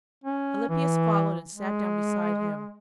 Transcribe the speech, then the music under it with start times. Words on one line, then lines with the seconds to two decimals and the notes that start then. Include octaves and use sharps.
Alypius followed and sat down beside him.
0.24 C#4
0.69 E3
1.54 G#3